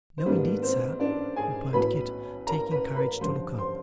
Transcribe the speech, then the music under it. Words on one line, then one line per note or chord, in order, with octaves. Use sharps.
'No indeed, sir,' replied Kit, taking courage to look up.
C5
G#2 D#3 G3 A#3 B3 D4 B4
C4 C5
D4 D5
G#4 G#5
B1 A2 F#3 B3 B4 B5
A#4 A#5
B4 B5
B4 B5
G2 D3 F3 C5 C6
C5 C6